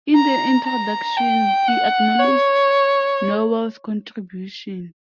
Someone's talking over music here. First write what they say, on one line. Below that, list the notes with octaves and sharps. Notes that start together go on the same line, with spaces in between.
In the introduction he acknowledged Nowell's contribution.
A#5
A#5
G5
F#5
C#5